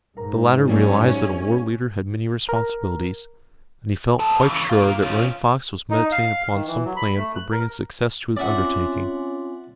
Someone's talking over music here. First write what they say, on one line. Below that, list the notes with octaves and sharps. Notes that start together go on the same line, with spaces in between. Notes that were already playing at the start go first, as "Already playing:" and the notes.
The latter realized that a war-leader had many responsibilities, and he felt quite sure that Running Fox was meditating upon some plan for bringing success to his undertaking.
G#2 A#4 A#5
F#3 G3 A3 A#3 C#4
A#4
B3 A4
C#3 E3
A#3 F4
C#4 F4
D#4
F5
D#3
E3
F#3
B5
A3
F#6
A#4
C4 C#4 F4 D5 E5 F#5 G#5